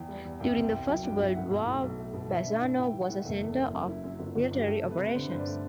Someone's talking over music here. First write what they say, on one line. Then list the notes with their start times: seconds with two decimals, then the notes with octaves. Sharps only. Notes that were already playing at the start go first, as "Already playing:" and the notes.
During the First World War Bassano was a centre of military operations.
Already playing: E2 G5
0.09 G3
0.25 E2
0.40 C2 G5
0.56 C3
0.64 G5
0.72 C2
0.87 F#3 G5
1.04 G2 G5
1.19 F#3 E5
1.35 A2 F#5
1.50 B1
1.66 A2
1.83 B1
1.98 A3
2.13 B2
2.30 E3 E5
2.46 D4
2.61 A2
2.77 A2 G5
2.93 E3
3.01 F#5
3.09 A2
3.25 F#1 A4
3.40 E2
3.49 A4
3.57 F#1
3.72 F#2
3.88 E4
4.04 F#2
4.20 G1
4.35 G1
4.51 G2
4.58 G4
4.67 A3 A4
4.83 C3
4.91 B4
4.98 C3
5.15 D3 C5
5.23 B4
5.30 G2 C5
5.38 D5
5.47 A3